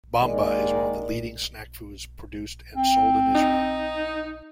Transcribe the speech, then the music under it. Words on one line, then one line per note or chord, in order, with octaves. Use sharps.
Bamba is one of the leading snack foods produced and sold in Israel.
D#3 G#3 A#3 D5
C4
D#4